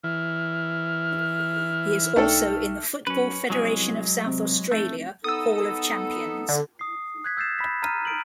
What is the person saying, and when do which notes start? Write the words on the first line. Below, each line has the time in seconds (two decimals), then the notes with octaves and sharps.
He is also in the Football Federation of South Australia Hall of Champions.
0.04 E3 F6
2.16 B1 A3 D4 D#4 A4 G5
3.07 F#2 C#4 B4
3.50 C2 F#3 G#3 G#4
4.26 C3
4.72 F1 A3
5.24 B3 D#4 A4 D#6 E6
6.49 D3
6.79 D#6 C7
7.24 F#6 G#6 B6
7.37 E6 G6 A6 C7 E7
7.59 B5 B6
7.83 A#5 F6 D#7
8.05 F6 D7 F#7